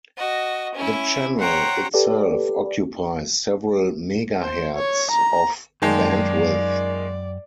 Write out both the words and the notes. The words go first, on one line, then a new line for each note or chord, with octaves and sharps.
The channel itself occupies several megahertz of bandwidth.
F#4 D#5
C#4 E4
C5 C#5 F#5 G5 A#5
G4 A4 B4 D5
C5
C#5
A#5
F#2 D#3 G#3 A#3 D5 G5 A5